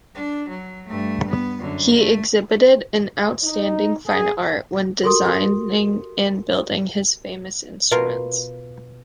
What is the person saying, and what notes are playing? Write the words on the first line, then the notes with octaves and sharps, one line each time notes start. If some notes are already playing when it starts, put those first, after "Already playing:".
He exhibited an outstanding fine art when designing and building his famous instruments.
D4
F#3
G2 A3
B3
F#2 D3
A3
D#4
G#4
F#4 G4 A4 A#4 C6 D#6
B2 F4 A#4